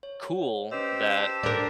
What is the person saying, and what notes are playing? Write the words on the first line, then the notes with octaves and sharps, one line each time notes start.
cool that
C#5
C#4 G4 B4 C5 D#5 E6
A5
D4 A#4